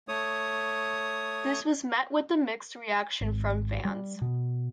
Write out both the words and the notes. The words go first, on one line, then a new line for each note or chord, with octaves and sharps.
This was met with mixed reaction from fans.
A3 C#5 D#6
G#1
G3
B2